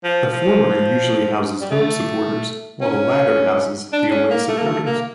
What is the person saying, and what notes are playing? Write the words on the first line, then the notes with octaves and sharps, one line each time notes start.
The former usually houses home supporters while the latter houses the away supporters.
F3
F3
G3
A3
C#4
D4
C#4
A#3
A3
A#3
A3
A#3